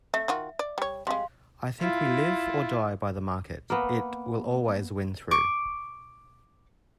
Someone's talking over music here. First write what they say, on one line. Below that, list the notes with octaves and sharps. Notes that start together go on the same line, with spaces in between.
I think we live or die by the market, it will always win through.
A3 E5
D#3 F4 F#4
D5
G3 C#5
G3 G#3 F5 C6
E4 F4
A#3 B3
C#6 D6